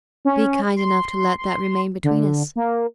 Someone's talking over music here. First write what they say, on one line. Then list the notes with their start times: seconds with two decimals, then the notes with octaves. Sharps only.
Be kind enough to let that remain between us.
0.25 C#4
0.76 C6
1.38 C6
2.04 D3
2.56 A#3